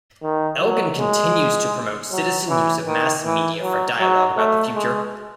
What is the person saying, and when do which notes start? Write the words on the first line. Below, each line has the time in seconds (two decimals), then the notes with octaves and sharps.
Elgin continues to promote citizen use of mass media for dialogue about the future.
0.23 D#3
0.61 F#3
0.98 G#3
2.12 F#3
2.49 E3
2.86 D#3
3.24 E3
3.62 F#3
4.00 F#3
4.37 A3
4.75 G#3